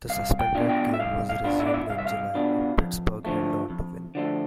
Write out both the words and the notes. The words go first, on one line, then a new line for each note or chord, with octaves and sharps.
The suspended game was resumed in July, and Pittsburgh held on to win.
C2 F5
G5
B2 B3 D4 F4
G5
E5
C2 F5
F5
B2 B3 D4 F4
E5
D5
E5
C2 F5
E5
F5
B2 B3 D4 F4
F2
D3 F3 A3
F2
D3 F3 A3